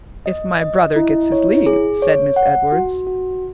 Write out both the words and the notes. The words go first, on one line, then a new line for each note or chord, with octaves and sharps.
"If my brother gets his leave," said Miss Edwards.
D#5
D#5
E4
C#5
G#4
C#5
F#5
F#4
F#4